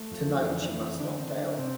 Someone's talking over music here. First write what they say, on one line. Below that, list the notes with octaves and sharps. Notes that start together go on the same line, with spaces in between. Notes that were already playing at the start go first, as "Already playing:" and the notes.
Tonight she must not fail.
Already playing: A3
F2
E3 D4
D4
E3
C4
D3 D4
C4
D3
D4
C3 C4